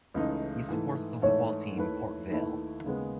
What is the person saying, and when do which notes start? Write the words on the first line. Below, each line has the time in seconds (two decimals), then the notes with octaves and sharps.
He supports the football team Port Vale.
0.14 C#2 C#3 E3 A3 D#4
0.69 G#2 E3 A3
1.22 G#2 E3 A3 C#5
1.76 D#2 D#3 A3 E4 B4
2.30 D#2 D#3 A3 E4 B4
2.84 D#2 C#3 G#3 B3